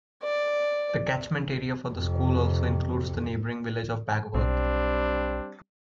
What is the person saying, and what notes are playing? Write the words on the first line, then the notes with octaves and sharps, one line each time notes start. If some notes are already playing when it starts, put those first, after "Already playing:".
The catchment area for the school also includes the neighbouring village of Bagworth.
D5
F2 C3
B1 G3 C4 D4